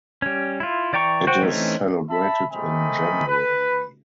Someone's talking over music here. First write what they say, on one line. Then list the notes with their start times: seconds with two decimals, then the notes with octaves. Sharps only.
It is celebrated in January.
0.22 G3 C#4
0.60 E4 F4
0.93 E3 D5 G5 A#5 C#6
1.27 F#4 C5 G5 C#6
1.42 E3 A3 C4 C#4 D#4
2.10 E5 A5 B5
2.51 A3 C4 A#4 D#5 G#5 B5
3.27 B4